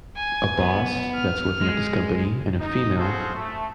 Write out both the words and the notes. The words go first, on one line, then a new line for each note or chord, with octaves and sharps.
a boss that's working at this company and a female
G#5
B3
F6
G#3
D#4
F4 F#4 G#4 A4 C5 F5
A3